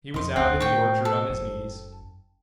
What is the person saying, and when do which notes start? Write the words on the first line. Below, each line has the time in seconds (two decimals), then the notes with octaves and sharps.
He was out in the orchard on his knees.
0.14 F2 C3 D#5 C6
0.36 E1 D2 C4 F#5
0.60 A2 G5 C#6
1.05 A4
1.30 F#1